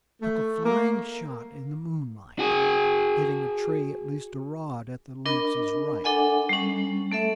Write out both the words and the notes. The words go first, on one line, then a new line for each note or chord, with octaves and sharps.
He took a flying shot in the moonlight, hitting a tree at least a rod at the lynx's right.
A3
A#3
F#4 G#4
D4 A#4 D#5 B5
D4 A4 D#5 F#5 G#5
G3 C#4
A3 A4 E5